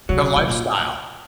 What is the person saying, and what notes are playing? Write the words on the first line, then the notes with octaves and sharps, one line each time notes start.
The lifestyle
C3 F#3
C3
A#2